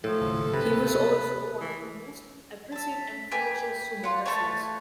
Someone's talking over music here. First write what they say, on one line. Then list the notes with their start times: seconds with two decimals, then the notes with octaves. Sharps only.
He was also one of the most aggressive and ferocious sumo wrestlers.
0.04 A2 F3 A4
0.54 C3 B4
1.61 E3
2.72 E5 A5
3.32 G4 B4 E5 G#5
4.04 F4 F#5
4.26 A3 A4 B4 C#5